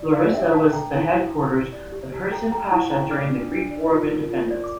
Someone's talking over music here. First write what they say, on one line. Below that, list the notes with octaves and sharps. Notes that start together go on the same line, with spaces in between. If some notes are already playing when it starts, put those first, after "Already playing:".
Larissa was the headquarters of Hursid Pasha during the Greek War of Independence.
Already playing: D5
D4 D5 F5
D4 E5 G5
D4 F5 A5
A4 G5 A#5
E4
E4
E4
G4
D5
G4
G4
A4 G5 A#5
A4 G5 A#5
E4 A5 C#6
A4 G5 A#5
D5 D6 F6
D4
D4
D5
F4
A#4
F4
D5
D6